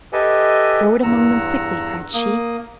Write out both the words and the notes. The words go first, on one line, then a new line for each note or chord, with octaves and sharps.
"Throw it among them quickly!" cried she.
G4 A4 B4 D#5 E5 G#5
E2 G2 F#5 A#5 E6
A#3 D#6